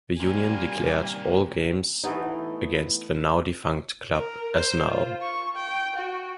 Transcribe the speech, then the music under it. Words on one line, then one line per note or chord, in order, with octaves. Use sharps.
The union declared all games against the now defunct club as null.
C3 D#3 G3 A#3 G#5
E3 A3 B3 D#4
A#4
C5
F4
C#6
G5
F#4